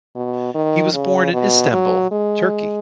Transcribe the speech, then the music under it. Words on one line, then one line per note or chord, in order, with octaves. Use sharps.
He was born in Istanbul, Turkey.
B2
D#3
C#3
B2
F#3
G#3